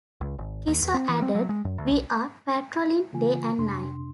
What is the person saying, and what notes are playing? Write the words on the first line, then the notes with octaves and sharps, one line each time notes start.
Kisso added: We are patrolling day and night.
C#2
G#1
D#2
E2
C4
E3
C4
F#3
G#3
F#2
D2
B1
C#3 E3 A#3 F4 G#5
F2 C3 D4 C6